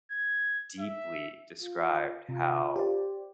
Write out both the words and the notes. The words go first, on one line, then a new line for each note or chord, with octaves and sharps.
deeply described how,
G#6
E5
F4
C3 F4
G4 C5 D5